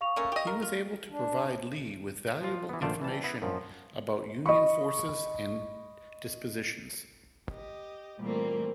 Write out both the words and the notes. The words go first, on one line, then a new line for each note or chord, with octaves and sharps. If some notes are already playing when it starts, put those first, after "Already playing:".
He was able to provide Lee with valuable information about Union forces and dispositions.
F5 C#6 F7
A3 A#3 C#4
G4 D#5
A#4
F4
D4
F3 F4
E3 B3
A#1 D3 A3 C5 D5 F5
E3 G3 A5
B3 E4 F#5
F#2 A#2 F3
D#5 B5 C#6
G4 D#5
A#2 E3 G3 A3 A#3 C4